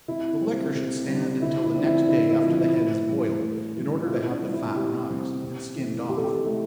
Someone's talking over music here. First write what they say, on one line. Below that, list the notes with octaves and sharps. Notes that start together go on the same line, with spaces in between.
The liquor should stand until the next day after the head is boiled, in order to have the fat rise, and skimmed off.
C3 E4
G3 C4
C3
G3 C4
D3 E4
E4
F3 C4 D4
E4
D3 E4
E4
F3 C4
E4
A2 E4
E3 G3
A2
E3 G3
F4
C3 E4
E4
D4
G3 C4
E4
C3 G4
G3 C4
C3
E3 A3
C3 G4
A4
G4
E3 A3